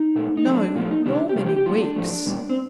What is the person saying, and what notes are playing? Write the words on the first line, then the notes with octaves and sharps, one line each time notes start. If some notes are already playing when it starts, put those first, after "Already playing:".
"No--nor many weeks."
Already playing: D#4
A#2 A3
D#4
D3 F3 A#3 D4
A#2 F3 A3 F4
D#4
C3 D#3 G3 A#3 D4
G4
C3 G3 A#3 F4
G4
G4
A2 G3 A#3 F4
D4
A2 F3 A3
A#2 G3 A#3
C4